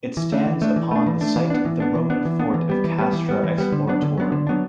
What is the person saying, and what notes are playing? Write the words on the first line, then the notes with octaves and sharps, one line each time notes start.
It stands upon the site of the Roman fort of Castra Exploratorum.
E3
A3 D4
E3
A3 D4
E3
A3 D4
E3
A3 D4
E3
B3 D4
E3
B3 D4
E3
B3 D4
E3
B3 D4
E3
G3 B3
E3
G3 B3
E3
G3 B3
E3
G3 B3
D3
F#3 B3 D4
D3
F#3 B3 D4
D3
F#3 B3 D4